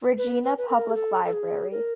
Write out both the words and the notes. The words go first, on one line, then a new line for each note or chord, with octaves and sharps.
Regina Public Library.
B4
B4
B4
A#4
G#4
A4
A4
G#4
A#4